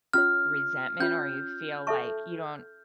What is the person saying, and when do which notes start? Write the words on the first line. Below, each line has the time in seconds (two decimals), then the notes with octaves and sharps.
resentment or you feel, like, you don't
0.13 C#4 F4 C#5 F6
1.00 C#4 F4 C#5 G6
1.87 A4 E5 A5 C#6